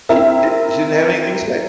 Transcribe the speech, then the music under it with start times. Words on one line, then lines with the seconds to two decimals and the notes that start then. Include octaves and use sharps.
She d she didn't have anything to say.
0.09 C4 E4 A#4 E5